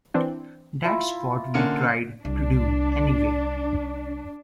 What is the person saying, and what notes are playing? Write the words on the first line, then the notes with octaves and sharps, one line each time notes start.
That's what we tried to do, anyway.
E3 C4 D4
E4 F4 A#5
D3 A#3 C#4 C#7
C2 D4